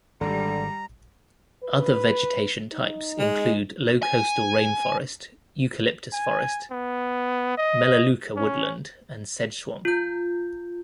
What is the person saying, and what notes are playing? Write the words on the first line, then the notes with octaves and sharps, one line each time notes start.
Other vegetation types include low coastal rainforest, eucalyptus forest, melaleuca woodland and sedge swamp.
G#1 D3 G3 A#5
B4
D#4
G#3
G#5
G#5
B3
D#5
C#4
F4 G6